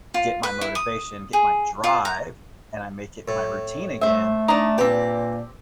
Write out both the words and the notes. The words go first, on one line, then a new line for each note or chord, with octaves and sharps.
get my motivation, get my drive, and I make it my routine again,
F4
B4
E4
D#6
G#4
F4
A#5
A2
A3 C5 E5
D4 D#4 A#5
A#2 A#3 C4 G4 B4